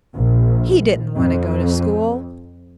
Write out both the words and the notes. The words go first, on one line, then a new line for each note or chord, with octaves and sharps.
He didn't want to go to school.
A#1
F2